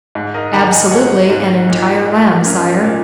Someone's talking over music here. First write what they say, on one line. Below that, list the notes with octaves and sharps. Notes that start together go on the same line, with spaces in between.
"Absolutely an entire lamb, sire."
G#2
A#4 D#5
D#3 F#5 A#5
D#5 G#5
G#3 C#5 F#5
G#2
A#2
A#3
C#4 A#4 D#5
A#2